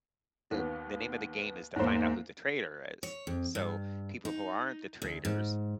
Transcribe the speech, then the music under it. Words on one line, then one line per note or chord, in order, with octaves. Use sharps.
the the name of the game is to find out who the traitor is, so people who aren't the traitors
D#2 D#3 B3
E2 G#2 A#3 C5
C#5
F2
G2
D#4
D2
G#2